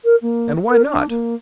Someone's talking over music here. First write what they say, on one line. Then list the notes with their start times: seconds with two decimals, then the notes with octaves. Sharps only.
"And why not?"
0.04 A#4
0.21 A#3
0.70 A#4
0.85 D4
1.09 A#3